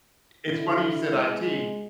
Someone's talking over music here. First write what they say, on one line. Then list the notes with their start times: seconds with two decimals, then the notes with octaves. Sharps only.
It's funny you said IT.
0.48 D3 E4
1.12 G#3